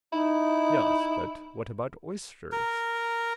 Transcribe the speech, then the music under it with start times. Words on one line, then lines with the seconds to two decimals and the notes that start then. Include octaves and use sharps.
Yes but what about oysters.
0.13 D#4 E4
2.52 A#4